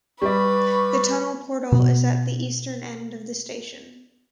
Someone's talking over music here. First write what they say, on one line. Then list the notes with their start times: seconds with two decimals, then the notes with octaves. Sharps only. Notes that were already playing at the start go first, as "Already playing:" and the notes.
The tunnel portal is at the eastern end of the station.
0.22 G3 B4 D5 C#6
1.72 B2 B3